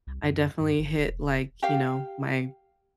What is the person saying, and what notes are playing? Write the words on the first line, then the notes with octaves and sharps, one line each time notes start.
I definitely hit, like, you know, my
C2
F#2
G2
G1
E1
G4 F5